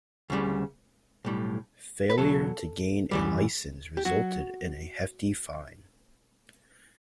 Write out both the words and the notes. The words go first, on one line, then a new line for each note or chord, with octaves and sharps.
Failure to gain a licence resulted in a hefty fine.
D2 C#3 G3
B1 A2 G3
B4
E2 B2 F#3 A4
F#2 E3 G3
G4
F#3 F#4